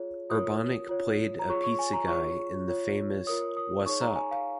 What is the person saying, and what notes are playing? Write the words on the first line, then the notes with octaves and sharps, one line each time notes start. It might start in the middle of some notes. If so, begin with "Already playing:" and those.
Urbaniak played a pizza guy in the famous Whassup?
Already playing: F4 G#4 C#5
F4 A#4 C#5 D#6
F4 C#5
A#5
F4 G#4 C#5 C#6
C#6
G#5
A#5
F4 G#4 C#5 C#6
F4 C#5
F4 A#4 C#5 D#6
D#6
D#4 G#4 C#5 C#6
A#5
G#5
F5